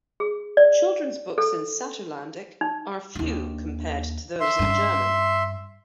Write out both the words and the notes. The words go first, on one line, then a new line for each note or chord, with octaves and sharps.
Children's books in Saterlandic are few compared to those in German.
G#4
D5
A4
D#4
D#2 D4
E5 C6
G2 C#4